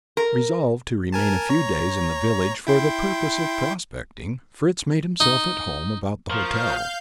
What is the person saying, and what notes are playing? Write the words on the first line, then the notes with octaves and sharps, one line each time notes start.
Resolved to remain a few days in the village for the purpose of prospecting, Fritz made himself at home about the hotel.
A#4
A#4 G#5 A5
C#5 A#5
E4 G5 C6
D#4
F3 A#4 F5 C#6 G6